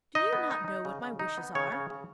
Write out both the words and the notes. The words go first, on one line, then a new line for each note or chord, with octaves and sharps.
"Do you not know what my wishes are?"
D#4 D#5
B3
D#4
D#4
C#3
C#3
D#4
B3
C#3 C#5
C#3
C#3